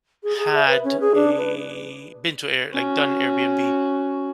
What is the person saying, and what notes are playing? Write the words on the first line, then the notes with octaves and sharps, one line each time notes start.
had a been to Air like, done Airbnb.
G#4
G#4
E5
B4
C#4
G#4
D4
B4
C#4 F#4